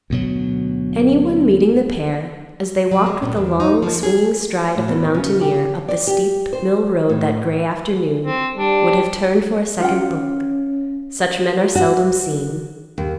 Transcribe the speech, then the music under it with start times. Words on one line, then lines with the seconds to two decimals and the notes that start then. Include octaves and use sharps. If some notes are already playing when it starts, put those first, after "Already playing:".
Anyone meeting the pair, as they walked with the long swinging stride of the mountaineer up the steep mill road that gray afternoon, would have turned for a second look; such men are seldom seen.
0.10 D2 B2 F#3
2.91 F#3
3.06 G#3
3.22 A#2
3.37 E2
3.60 D#4
3.82 F3
4.03 G#4
4.76 A2
4.88 E2
5.14 C#3
5.41 G4
5.88 D5
6.07 G4
6.53 C5
7.09 A2
8.22 C4
8.56 G3 D4
9.80 C#4 F4 F#5 G5
11.75 F#4
12.98 D#2